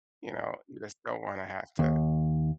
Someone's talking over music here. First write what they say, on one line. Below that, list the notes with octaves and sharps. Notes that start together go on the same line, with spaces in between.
you know, you just don't wanna have to
D#2